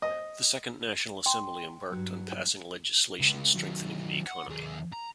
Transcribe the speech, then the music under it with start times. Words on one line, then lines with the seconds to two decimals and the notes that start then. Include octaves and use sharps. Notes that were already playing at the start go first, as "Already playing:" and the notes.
The Second National Assembly embarked on passing legislation strengthening the economy.
0.02 D#5
1.26 G5 G#5 C6
1.90 G2 F#3 G3
3.21 C#2
3.56 D#3 F#3
4.27 F#5
4.49 D#2 G#4
4.93 A#5